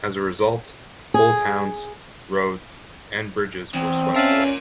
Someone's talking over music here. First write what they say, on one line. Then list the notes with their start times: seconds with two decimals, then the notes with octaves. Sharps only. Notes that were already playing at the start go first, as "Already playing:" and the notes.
As a result, whole towns, roads, and bridges were swept away.
1.14 G#4
3.75 E2 C4
4.16 C#4 A#4 D5 E5 F5 A5